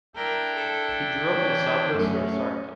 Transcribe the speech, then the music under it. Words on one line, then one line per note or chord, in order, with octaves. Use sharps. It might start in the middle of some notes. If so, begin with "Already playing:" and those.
He grew-up in Sablé-sur-Sarthe.
D4 E4 A#4 G5
A4
E3 C#5
F#2 A3 C#4